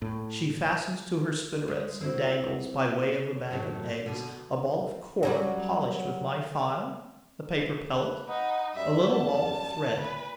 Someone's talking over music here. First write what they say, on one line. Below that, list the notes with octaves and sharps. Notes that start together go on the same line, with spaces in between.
She fastens to her spinnerets and dangles, by way of a bag of eggs, a ball of cork polished with my file, a paper pellet, a little ball of thread.
A2
G#3
C4 E4 F#4
F#2 A2 F#3
B2 D3
F#3 G3 C#4
B4
D#4 D#5 F#5 B5
F#2 G3 E5
A5
A#2 B4